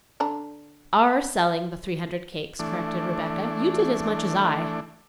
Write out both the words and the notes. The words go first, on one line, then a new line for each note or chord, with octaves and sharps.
"OUR selling the three hundred cakes," corrected Rebecca; "you did as much as I."
D3 D4 A#5
E3 A3 D4